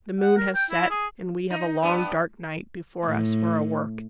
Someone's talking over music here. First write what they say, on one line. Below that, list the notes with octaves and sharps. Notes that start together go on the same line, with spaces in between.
The moon has set, and we have a long dark night before us for our work.
F#5
A#4
G5
E4
G#4
D#4
G2 B3
A2